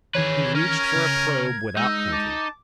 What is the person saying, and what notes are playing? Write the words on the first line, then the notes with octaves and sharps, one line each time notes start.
He'd reached for a probe without thinking.
D#3 E3 G#4 B4 C#5
C#4 A#4 G#6
C#3
G#6
G#3 D#4 E6
A5 D6